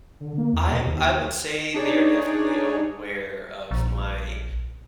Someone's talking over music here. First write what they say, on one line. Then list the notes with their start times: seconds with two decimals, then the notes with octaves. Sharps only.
I w I would say they are definitely aware of my
0.20 D3
0.38 A#3
0.53 E2
0.71 B2
0.87 D#2
1.74 D4 D#4 G#4 C#5 D5
3.71 A#1